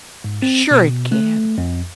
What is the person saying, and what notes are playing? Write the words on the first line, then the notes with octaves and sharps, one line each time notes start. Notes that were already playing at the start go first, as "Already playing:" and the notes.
Sure it can.
G#2
C4
B2
A3
F2